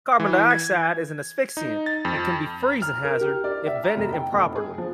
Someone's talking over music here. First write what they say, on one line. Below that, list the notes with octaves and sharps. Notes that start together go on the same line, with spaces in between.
Carbon dioxide is an asphyxiant and can be a freezing hazard if vented improperly.
E3
G#6
D#4
A6
F2
A#5
F6
A#4
G4
D5
E5
A#5
F1
G5
F1
G#4
F3